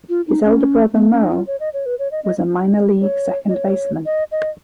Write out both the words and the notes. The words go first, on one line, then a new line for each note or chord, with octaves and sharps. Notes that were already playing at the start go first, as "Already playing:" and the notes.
His elder brother, Merle, was a minor league second baseman.
F4
D#4
C#4
B3
C#4
D#4
F4
C#5
D#5
C#5
B4
C#5
D#5
D#5
C#5
D#5
C#5
D#5
D#5